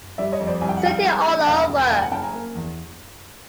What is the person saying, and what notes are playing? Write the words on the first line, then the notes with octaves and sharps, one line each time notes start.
City All Over!
G3 D5 E5
C#5 D#5
F2
C5 D5
C2 G#5
G5
F#5
C2 F5 G5
G#3
A#1
E1 F5 G5
E1
F#1 F5 G5
F#5 G#5
F#1 G5 A5
G#5 A#5
A#3
E2